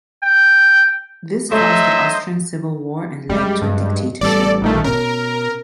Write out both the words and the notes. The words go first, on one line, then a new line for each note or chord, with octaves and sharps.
This caused the Austrian Civil War and led to a dictatorship.
G5
F#3 A3 C5 D#5 E5
F#2 G3 G#3
G2
A1 G3 B3 A4 D5
A#1 D#3 A3
B2 C#4 A#4